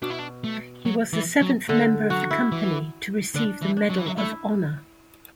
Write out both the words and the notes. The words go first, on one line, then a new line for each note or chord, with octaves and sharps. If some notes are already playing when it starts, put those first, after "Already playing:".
He was the seventh member of the company to receive the Medal of Honor.
B2 D4
E4
D4
A3
F#3
E3
F#3
D3 A3
F#3 F#4
E4
E3
D3 D4
E3
D4
F#3
E3
F#3
A3 E4